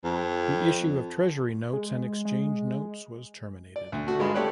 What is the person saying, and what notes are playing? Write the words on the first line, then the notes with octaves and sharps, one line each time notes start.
The issue of treasury notes and exchange notes was terminated.
F2
G#3
G#3
D5
D2
A3 F#4
G2 G#3 F4 B5
A3 G4 C#5 D5 F#6